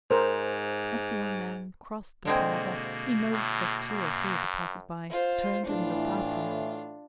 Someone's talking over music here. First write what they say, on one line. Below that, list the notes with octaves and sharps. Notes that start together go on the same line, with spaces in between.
As the young man crossed the plaza he noticed that two or three of the passers-by turned and looked after him.
G#2 A#4 C5
B2 D3 G#3 A#3 C4
A2
F#2
F4 C5
A2 E3 D4 F4